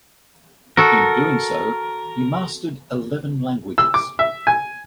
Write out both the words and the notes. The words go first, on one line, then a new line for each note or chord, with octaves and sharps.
In doing so, he mastered eleven languages.
F#4 A4 A#4
E6
D6
E5
G#5